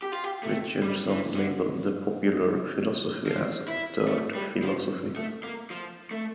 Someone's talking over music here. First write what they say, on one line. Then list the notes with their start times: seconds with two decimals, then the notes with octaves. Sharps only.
Richardson labeled the popular philosophy as "dirt philosophy".
0.02 G4
0.12 F4
0.24 G4
0.43 A3
0.83 G3
1.10 E3
1.37 D3
3.27 F3
3.68 E4
4.08 A3
4.34 G3
4.63 F3
5.16 A3
5.43 A#3
5.70 F3
6.11 A3